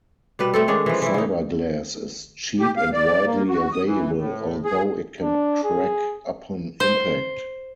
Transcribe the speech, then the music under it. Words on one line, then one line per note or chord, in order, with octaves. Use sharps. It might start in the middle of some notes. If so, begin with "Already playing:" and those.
Fiberglass is cheap and widely available, although it can crack upon impact.
B2 G3 B4
A3 C4 A4
D#3 G#3 C#4 D4
E3 F3
E3 E4
C#3 D#4
G4
F5
D5
A#3
F#4
D#6
E3
A2
G#4
D4
G#4
C5